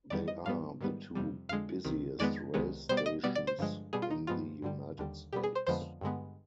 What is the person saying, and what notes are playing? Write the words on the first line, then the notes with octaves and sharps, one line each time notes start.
They are the two busiest rail stations in the United States.
F2 D#3 G3 B3 D5
D#5
G#2 G3 B3 F5
G#2 D#3 G3 B3
F2 C3 G3
F2 D3 G#3 F5
C2 C3 D#3
F2 D#3 G#3 B3 D5
C2 C3 D#3 G#3 B3
B2 G3 B3 C5
D5
D#5
B2 G3 B3 D5
D5
C5
G2 D3 F3 G#3
B2 G3 B3 G#4
F4
D#4
G2 F3 G#3 B3 F4
G2 D3 G3
D#2 D3 G3
B2 G3 B3 G4
G#4
C5
F2 D3 F3 G#3 B3 C5
G2 D3 G#3 B3